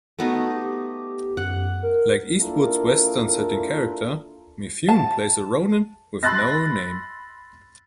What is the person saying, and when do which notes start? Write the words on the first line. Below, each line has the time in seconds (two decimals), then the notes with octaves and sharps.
Like Eastwood's western setting character, Mifune plays a ronin with no name.
0.19 A3 B3 D#4 F#4
0.56 G4
1.37 F#2 F#5
1.83 A#4
2.39 A#3 D4 E4 F4 A4 A#4
4.89 A5
6.23 B5 C6 E6 F#6 A6 A#6